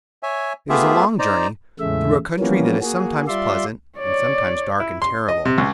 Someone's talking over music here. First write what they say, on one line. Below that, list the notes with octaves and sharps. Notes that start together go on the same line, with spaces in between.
It is a long journey, through a country that is sometimes pleasant and sometimes dark and terrible.
C#5 E5 G#5
A3 B3 F4 G4 G#4 E5
D#4 C5 D5 A#5
E2 A2 C#3 G#3 A3 E5
E3 F3 G3 A#3 B3 C#4
A#3 F#4 G#4
G3 F4 D5 E5 C6
C#5 D5
E4
C6
D#5
C3
C#2